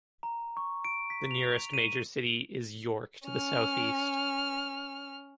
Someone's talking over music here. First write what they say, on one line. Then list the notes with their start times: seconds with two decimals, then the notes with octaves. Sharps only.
The nearest major city is York, to the south-east.
0.23 A#5
0.57 C#6
0.85 D7
1.10 B6
1.31 F7
1.74 D#7
3.27 C#4 F6